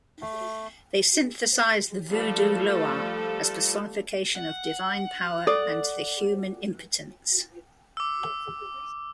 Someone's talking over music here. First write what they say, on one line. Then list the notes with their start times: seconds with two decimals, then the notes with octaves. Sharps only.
They synthesize the vodou Loa as personification of divine power and the human impotence.
0.21 A3
2.10 F3 G3 A3 A4
4.36 F#5
5.47 A4 D5 D6
7.97 D6 E6